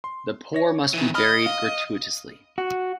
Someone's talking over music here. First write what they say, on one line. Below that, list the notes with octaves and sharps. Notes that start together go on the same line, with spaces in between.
The poor must be buried gratuitously.
C6
C#5 A#6
D#3 E3
D#5 B5 F6
F5
F#4